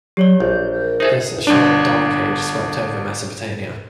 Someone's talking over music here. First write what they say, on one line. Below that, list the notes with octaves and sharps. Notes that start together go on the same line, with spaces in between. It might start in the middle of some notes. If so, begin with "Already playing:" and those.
Thus, a short "dark age" swept over Mesopotamia.
F#3 G4 C#5 D5
A#1 G6
A#4
D#4 G#4 A4 C5 E5
G1 D4